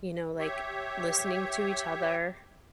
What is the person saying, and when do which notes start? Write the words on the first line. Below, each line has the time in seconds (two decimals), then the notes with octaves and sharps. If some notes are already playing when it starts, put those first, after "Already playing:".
You know, like listening to each other
0.39 G4 C#5 E5